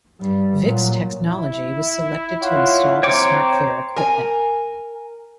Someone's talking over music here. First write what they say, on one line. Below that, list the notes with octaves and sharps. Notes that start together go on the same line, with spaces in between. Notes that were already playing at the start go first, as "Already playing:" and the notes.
Vix Technology was selected to install the smart fare equipment.
G2 G3
A#2 F#3
E4
F4 C#5 F#5
C4 C5 C#5 G5 A#5 D6
A#4 G#5